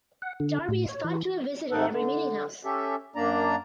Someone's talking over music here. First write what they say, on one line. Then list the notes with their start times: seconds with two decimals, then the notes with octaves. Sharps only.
Darby is thought to have visited every meeting house.
0.22 F#5
0.40 D3
0.68 A2
0.89 C#5
1.04 E3
1.71 G#2 C3 D#3 D#4 A4 F#5
1.90 D3
2.64 C#4 G4 A4 E5
3.16 F#2 A#3 D4 D5 A#5